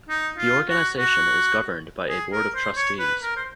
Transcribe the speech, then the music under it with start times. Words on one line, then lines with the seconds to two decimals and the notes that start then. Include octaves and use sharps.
The organisation is governed by a board of trustees.
0.09 D#4
0.38 F4
0.68 F#4
0.98 F#4
2.09 G#4
2.32 A#4
2.55 C5
2.76 C#5
2.99 B4
3.22 A#4
3.36 C5